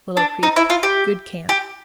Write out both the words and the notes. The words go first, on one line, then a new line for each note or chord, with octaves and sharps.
Willow Creek.--Good camp.
D4
D#4
E4
F4
G4
G4